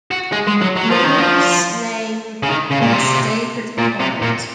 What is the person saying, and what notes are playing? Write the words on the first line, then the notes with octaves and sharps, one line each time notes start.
Mayors name is David Corbitt.
F#4
G#3
G#3
F#3
F#3
F3
D#3
F3
C#3
D#3
C#3
A#2
C3
A#2
C3
A#2